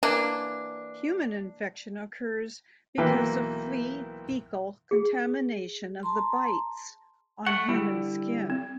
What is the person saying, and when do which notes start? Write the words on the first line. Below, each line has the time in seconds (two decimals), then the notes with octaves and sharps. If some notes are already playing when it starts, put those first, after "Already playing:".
Human infection occurs because of flea-fecal contamination of the bites on human skin.
0.03 E3 A#3 D4
2.98 B1 E3 A#3 E4 B4 G5
4.91 G#4
6.03 A5 A#5 C6
7.46 A3 F#5 C#6
7.68 D3 G3 E4
8.50 C4